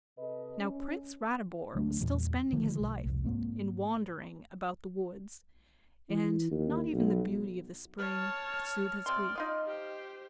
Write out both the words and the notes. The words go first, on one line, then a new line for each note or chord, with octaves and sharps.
Now Prince Ratibor was still spending his life in wandering about the woods, and not even the beauty of the spring could soothe his grief.
C3 A4 B4 D#5
C#4
D2 F#3 A3 D4
E2 A#2 E3 G3
D3 D#3 F3 A3
B1
F1 C2
G#2 A#3 C4
E3
D#2
B1
C#5 A5 F6
C3 D5 C6
D#4 F4 D#5
G4 C5